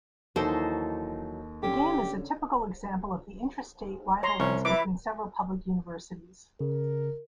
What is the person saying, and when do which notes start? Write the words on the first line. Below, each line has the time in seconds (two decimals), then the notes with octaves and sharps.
The game is a typical example of the intrastate rivalries between several public universities.
0.36 D#2 E3 F#3 D#4 A4 C5
1.63 D3 C#4 G4
4.23 C#5 A#5 C6
4.40 C2 C#4
4.65 E3 E4 D6
6.61 C#3 A#4